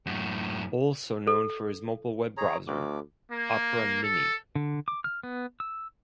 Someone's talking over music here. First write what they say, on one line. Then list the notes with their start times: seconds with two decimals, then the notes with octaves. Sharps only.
Also known for mobile web browser Opera Mini.
0.06 F#2 A2
1.27 A4
2.37 G#4 C#5 A#5
2.67 D2 A3 D6
3.31 A#3
4.02 A4
4.55 D3
4.88 D6
5.04 F6
5.23 B3
5.60 E6